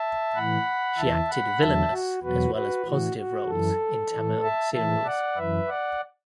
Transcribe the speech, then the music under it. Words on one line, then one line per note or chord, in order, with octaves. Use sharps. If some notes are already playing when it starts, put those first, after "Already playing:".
She acted villainous as well as positive roles in Tamil serials.
Already playing: E5 A5
A2 E3 F#5 B5
E2 E3 E5 A5
F#5 B5
E2 D3 F#3 E5 A5
F#4
E2 B2 F#3 F#4 B4
F#4 B4
A2 E3 F#4
F#4
F#2 E3 A4
A2 E3
E5 A5
A2 E3 E5 A5
D5 F#5
F#2 E3 B4 E5
D5 F#5